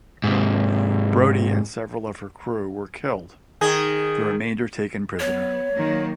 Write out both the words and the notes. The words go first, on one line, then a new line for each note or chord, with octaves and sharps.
Brodie and several of her crew were killed; the remainder taken prisoner.
G#2 C3
D#3 G#4 D#5
F#3 B3 C#5
D#3 F#3 A#3